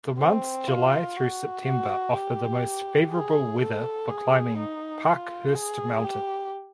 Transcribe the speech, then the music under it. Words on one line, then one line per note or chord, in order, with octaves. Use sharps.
The months July through September offer the most favorable weather for climbing Parkhurst Mountain.
C4
F4
F#4
F#4
G4
G#4
A4
G#4
D#4
F4
G#4
G4